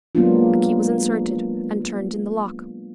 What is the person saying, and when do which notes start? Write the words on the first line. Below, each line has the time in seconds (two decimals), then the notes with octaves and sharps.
A key was inserted and turned in the lock.
0.15 F#3 G#3 A#3 B3 D4 F4